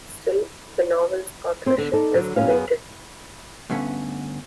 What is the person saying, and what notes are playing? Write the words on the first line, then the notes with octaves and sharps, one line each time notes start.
Still, the novel's authorship is debated.
C4 C5
D3
D#4 A4 D5
D3 F#3
E2 A#2 G3 C4 C#4 F5
F#2 B3 G#4 F5
D2 G2 D3 B3 C#4